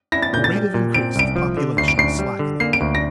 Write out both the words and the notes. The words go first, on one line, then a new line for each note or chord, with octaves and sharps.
The rate of increase of population is slackening.
E4 A#6
A6
A#2 G6
A6
G3
A#2
C4 D7
C2 D7
F3
D3
D2 C7
D7
D2 C7
G3
D3
A#3 C7
D7
D2
A#6